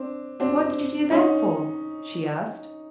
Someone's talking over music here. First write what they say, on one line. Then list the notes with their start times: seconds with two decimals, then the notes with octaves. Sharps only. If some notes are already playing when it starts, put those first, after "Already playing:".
"What did you do that for?" she asked.
Already playing: C4 D4
0.40 C4 D4
1.11 C#4 D#4